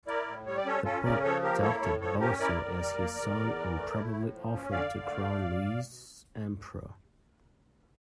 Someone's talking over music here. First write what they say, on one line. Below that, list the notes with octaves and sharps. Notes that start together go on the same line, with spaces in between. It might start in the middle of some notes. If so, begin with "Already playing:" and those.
The Pope adopted Boso as his son and probably offered to crown Louis emperor.
E4 A#4 D5
A2
G3 C#5
D5
C#4 A4 C#5
C#4 F4 A4
C#3 A#4 D5
F3 A4 C#5
A#3 G4 A#4
E4 A4 C#5
A2 A4 C#5
F3 A4 C#5
C#4 G4 A#4
E4 A#4 D5
A2
G3
A#3
E2
E2
E3
A3
E4
A2
F3
C#4
D3 D5 F5
D3
A3